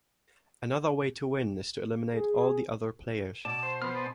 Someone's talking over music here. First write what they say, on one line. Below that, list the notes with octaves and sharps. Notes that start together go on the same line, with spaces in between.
Another way to win is to eliminate all the other players.
G#4
B2 D5 A5
C5
F3 B3 C5 F6
A4 D5 G#5